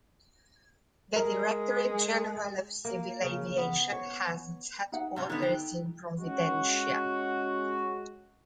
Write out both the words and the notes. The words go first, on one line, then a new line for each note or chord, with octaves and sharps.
The Directorate General of Civil Aviation has its headquarters in Providencia.
G#3 A#4
A#3
C#3
B3
C#5
D#4 F#5
G#2 C3
D3 B3 D#4
G5
G#3 C#4 F#4